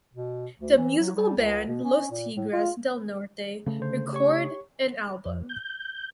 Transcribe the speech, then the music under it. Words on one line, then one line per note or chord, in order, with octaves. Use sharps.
The musical band Los Tigres del Norte record an album.
B2
D2
E3
F#3
G3
C#2
B2
C#4
A#2
A2
F4
C#3 A3
D3 C5
G4 C#5 C#6
F2
G6